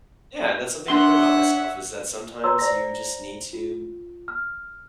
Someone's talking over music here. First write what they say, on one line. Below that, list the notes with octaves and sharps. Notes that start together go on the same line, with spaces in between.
yeah, that's something I learned about myself, is that sometimes you just need to
D4 C#5 E5 F#5 C6
B4 C#5 A#5 C6 E6
C5 D5 A#5 A#6
F4
F6